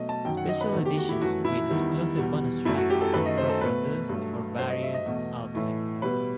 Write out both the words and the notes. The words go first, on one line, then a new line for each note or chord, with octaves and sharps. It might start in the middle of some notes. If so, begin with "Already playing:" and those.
Special editions with exclusive bonus tracks were produced for various outlets.
Already playing: B2 F#3 A3 D#5
A5
F#2 D#3 F#3 G5
F#5
D#5
B4
E2 D#3 A3 A4
G4
F#4
E4
F#2 E3 A3 F#4
E4
E2 D#3 G3
E2 B2 G3
F#2 F#3 A3 E4
F#4
G4
A4
F#2 D#3 F#3 A3 B4
D#5
C5
A4
B2 A3 B4
G2 F#3 A3
G2 F#3 A3 C5
D#5
E5
D#5
E2 B2 A3
A2 E3 A3
B2 G3 B4